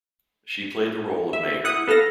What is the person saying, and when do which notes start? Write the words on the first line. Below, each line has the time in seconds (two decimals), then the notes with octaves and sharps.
She played the role of mayor.
1.33 E5
1.64 E4 F#5 D#6
1.87 B3 A4 F5 A#6